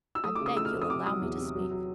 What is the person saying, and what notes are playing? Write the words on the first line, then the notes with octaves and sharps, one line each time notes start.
I beg you'll allow me to speak.
E6
A3 D#6
C#3 D6
D#6
A3 E6
F6
A3
D#6
C3 D6
F#3 D#6
E2
C3
F#3
F#3